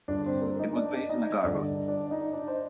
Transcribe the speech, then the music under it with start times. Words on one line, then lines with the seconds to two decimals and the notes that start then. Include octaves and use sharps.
It was based in Agaro.
0.08 G2 D3 D4 D5
0.26 C4 C5
0.42 A#3 A#4
0.59 D#4 D#5
0.76 D4 D5
1.09 D#4 D#5
1.43 G2 D3 D4 D5
1.88 D4 D5
2.11 D#4 D#5
2.33 D4 D5
2.48 C5